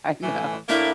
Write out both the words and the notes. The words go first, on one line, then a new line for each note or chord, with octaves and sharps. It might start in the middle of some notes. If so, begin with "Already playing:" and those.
I know.
A2 E3 G#5
A2 A#3 D4 E4 A#4 E5